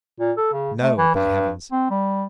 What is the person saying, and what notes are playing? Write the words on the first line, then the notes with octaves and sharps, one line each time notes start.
No! by heavens!
A#2
A4
C#3
A3
E3
G2
C4
G3